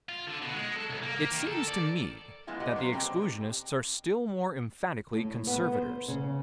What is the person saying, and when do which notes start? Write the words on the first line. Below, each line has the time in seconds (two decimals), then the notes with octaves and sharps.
It seems to me that the exclusionists are still more emphatically conservators.
0.09 F4
0.27 D3
0.42 B2
0.54 G#3
0.76 A4
0.90 C2
1.03 A#3
1.15 A#3
1.32 D#3
1.47 A4
1.68 D5
2.47 F3 G#3 B3 E4 F4
2.60 A#3 B3 G4 D#5 F#5
2.76 F#3 C#4 F4 A#4 C5
2.93 B2 G3 C4 G4 G5
5.13 A2
5.47 B3
5.72 C5
6.08 C#3